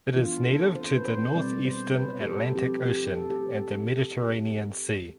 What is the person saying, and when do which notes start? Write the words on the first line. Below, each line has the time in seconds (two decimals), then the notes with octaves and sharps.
It is native to the northeastern Atlantic Ocean and the Mediterranean Sea.
0.16 E3 B3 D4 F4
0.45 A4
0.75 C5
0.96 B4
1.05 C5
1.35 B2 G3 C4 D5
1.65 C5
1.95 B4
2.21 G4
2.26 A4
2.55 F3 C4 G4
2.85 G4
3.15 A4
3.30 G4